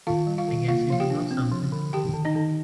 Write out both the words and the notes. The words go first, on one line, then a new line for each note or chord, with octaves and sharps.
I guess you forgot something.
D#3 F4 F5
G3
F4 F5
D#3
A#3 F4 F5
F3 F5
G4 G5
D4
C4
F3
D3
D#3 G4 G5
D#3
D#4 D#5
D#3